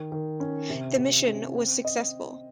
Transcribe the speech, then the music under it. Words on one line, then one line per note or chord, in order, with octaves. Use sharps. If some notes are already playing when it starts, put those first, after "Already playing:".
The mission was successful.
Already playing: D#3
D#3
C#4
C3
C3
C#4
C4
D#5